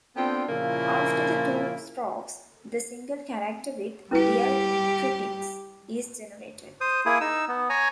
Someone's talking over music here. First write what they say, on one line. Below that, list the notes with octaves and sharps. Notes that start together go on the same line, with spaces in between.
After the two strokes, the single character with diacritics is generated.
B3 C4 D4 F4 A4 G5
A#2 C#3 F3 A#3 E4
G3 C#4 E4 G4 B4
C5 D#6
A#3 E4 G#4 D#6
D#4 E6
B3
C#5 G#5 A#5